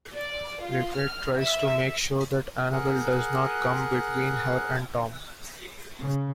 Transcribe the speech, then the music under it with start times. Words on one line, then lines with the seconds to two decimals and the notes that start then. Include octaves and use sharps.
Lynette tries to make sure that Annabel does not come between her and Tom.
0.15 D5
0.62 F4
0.96 F6
1.38 E5
2.73 G#4 A#4 F#5 F#6
6.01 C#3